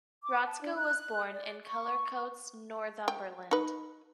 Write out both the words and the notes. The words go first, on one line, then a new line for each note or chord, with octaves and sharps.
Rodska was born in Cullercoats, Northumberland.
D6
A5
D4
F#6
D5
C#6
G5
D#4 B4